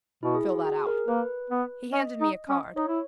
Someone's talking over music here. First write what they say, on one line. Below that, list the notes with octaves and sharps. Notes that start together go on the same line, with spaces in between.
"Fill that out." He handed me a card.
B2 E4
G#4
F#4
G#4
A#4
A#3 B4
B3
C#4 D#5
D#4
C#4
D#4 C#5
E4